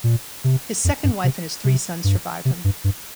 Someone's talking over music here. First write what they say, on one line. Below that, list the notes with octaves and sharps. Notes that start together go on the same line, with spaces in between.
His second wife and his three sons survive him.
A#2
C3
F2
G2
C3
C3
G2
C3
G2
G2